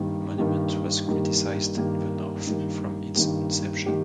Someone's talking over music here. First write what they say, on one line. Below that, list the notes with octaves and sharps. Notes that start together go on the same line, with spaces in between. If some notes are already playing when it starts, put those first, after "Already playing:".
The monument was criticized in the North from its inception.
Already playing: G2 D#3 A#3 G4
G2 D#3 A#3 G4
G2 D#3 A#3 G4
G2 D#3 A#3 G4
G2 D#3 A#3 G4
G2 D#3 A#3 G4
D#3 A#3 G4